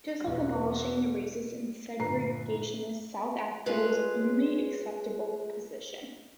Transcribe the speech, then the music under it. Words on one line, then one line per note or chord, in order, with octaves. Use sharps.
Just like abolishing the racist and segregationist South Africa was the only acceptable position.
E2 B2
G1 A#2 B4 A#5 C7
G#3 F4 G#4 B4 C#5